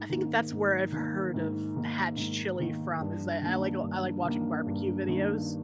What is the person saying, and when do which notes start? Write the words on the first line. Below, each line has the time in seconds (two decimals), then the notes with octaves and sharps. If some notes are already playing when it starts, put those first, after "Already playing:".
I think that's where I've heard of hatch chili from is that I like I like watching barbecue videos.
Already playing: G#2
0.10 D#3 A#3
0.51 G#2
0.92 D#3 A#3
1.34 G#2
1.76 D#3 A#3
2.17 G#2
2.59 D#3 A#3
3.00 G2
3.42 D#3 A#3
3.82 G2
4.24 D#3 A#3
4.66 G2
5.08 D#3 A#3